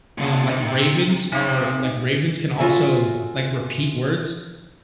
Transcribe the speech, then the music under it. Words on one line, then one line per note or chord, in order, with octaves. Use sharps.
um, like, ravens are like, ravens can also, like, repeat words?
A#2 D3
C3 D#3
C3
C3 C4 D#4
F4 F#4 A4 E5 G#5